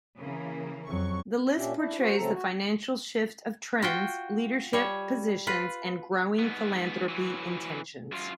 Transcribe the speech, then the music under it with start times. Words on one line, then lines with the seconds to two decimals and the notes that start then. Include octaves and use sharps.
The list portrays the financial shift of trends, leadership positions, and growing philanthropy intentions.
0.18 C#3 E3 A#3
0.87 F2 F#3 C#6
1.57 A#2 C#4 D4 G4 E5
1.76 D4 E4
1.98 F#4 C5
2.17 C#3 F#3 A3 C4 A4 A#5
2.32 F#4
3.82 F4 F#4 G5
4.73 G3 C#5
5.47 F4 B4
6.39 G#2 B3
7.08 E3 F#3
8.12 F#2 F4